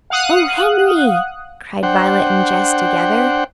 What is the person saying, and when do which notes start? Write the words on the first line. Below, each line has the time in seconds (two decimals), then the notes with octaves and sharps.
"O Henry!" cried Violet and Jess together.
0.10 F5 F#5 D#6 F#6
1.83 D4 C5 F#5 G5